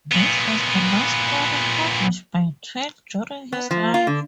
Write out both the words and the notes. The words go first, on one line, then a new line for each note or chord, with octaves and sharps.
This was the last story published by Twain during his life.
A#2 B3
B3
F3
F4
D3